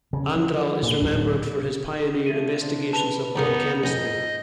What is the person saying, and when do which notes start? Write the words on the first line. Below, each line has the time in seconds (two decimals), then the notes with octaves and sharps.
Andral is remembered for his pioneer investigations of blood chemistry.
0.13 C#3
0.35 F3
0.83 A#2
1.02 D1
2.26 F3 A3 D#7
2.58 D4 C5
2.93 B4 A5 F7
3.36 C#2 G2 B3 D#4 A#4
3.84 A#1 F2 G#2 D#5 G#5 G6